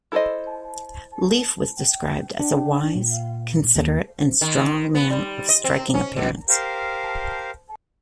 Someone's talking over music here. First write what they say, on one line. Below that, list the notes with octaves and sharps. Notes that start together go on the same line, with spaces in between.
Leif was described as a wise, considerate, and strong man of striking appearance.
E4 A4 A#4 C5 D#5
D4
A#2
D#2
D#3
B3
G3
D#5
C4
C#4
B2
G4 A#4 C5 F5